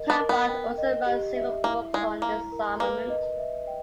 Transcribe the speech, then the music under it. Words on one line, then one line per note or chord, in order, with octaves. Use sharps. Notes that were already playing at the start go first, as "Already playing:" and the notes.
Talbott also wrote several books on disarmament.
Already playing: A#4 D#5
B3
A#4
B3
G5
D#5
G4
E5
A#3 E4
G#3 E4
A#3 A#5
A#4
A#3 B4
D#5
E5
G5